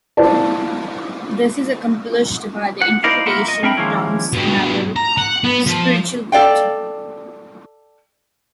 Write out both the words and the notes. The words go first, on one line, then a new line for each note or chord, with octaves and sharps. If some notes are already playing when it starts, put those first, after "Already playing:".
This is accomplished by the interpretation of tongues, another spiritual gift.
E4 F4 C5 D5 A5
F#5
D#4 E4 C5 D5 D#5 F5
A#3 E4 F4 A#4 F#5
D#5
C4 D4 A#4 E5 G5 B5
D#3 F3 G#3 A#3 C#4 E4
G2 B2
A#5
F#5
B3
F3
A4 D5 F5 G5